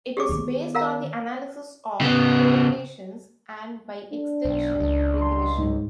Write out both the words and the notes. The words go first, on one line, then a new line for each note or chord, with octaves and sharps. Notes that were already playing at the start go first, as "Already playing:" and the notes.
It is based on the analysis of correlations and, by extension, regression.
G4 G#4 D6
D#3 B3
A#4 F5 A#5
C#3 B3
D4
B1
C#2
C6
G#2